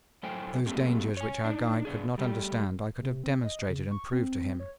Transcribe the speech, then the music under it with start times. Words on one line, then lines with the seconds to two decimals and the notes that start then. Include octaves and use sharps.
Those dangers which our guide could not understand I could have demonstrated and proved to him.
0.23 F#2 A2 A3 C5 G5 G#5
0.66 F#3 A3 A#3 C4 G4
1.17 C#5 G#5
1.45 D4 D#4
1.85 B2 D4 G#4
2.18 G3 A3 G4
3.02 C3
3.24 C4
3.44 D#5
3.69 C#3
3.91 C#6
4.12 C4
4.60 C#5